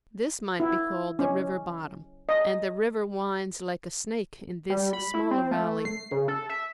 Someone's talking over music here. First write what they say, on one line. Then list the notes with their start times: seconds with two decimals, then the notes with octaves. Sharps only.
This might be called the river bottom and the river winds like a snake in this smaller valley.
0.60 E4
1.19 C#4
2.29 D#5
4.70 G3
4.93 B5
5.14 E4
5.31 C4
5.51 A3
5.85 C7
6.11 C#3
6.28 A4
6.49 E5